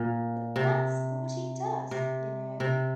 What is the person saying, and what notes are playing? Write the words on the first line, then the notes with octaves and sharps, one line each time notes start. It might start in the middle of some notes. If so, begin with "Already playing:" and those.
But that's what he does, y'know?
Already playing: A#2
C3
C3
C3